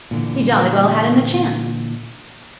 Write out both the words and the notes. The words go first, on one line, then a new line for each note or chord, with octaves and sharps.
He jolly well hadn't a chance.
A#2 D3 E3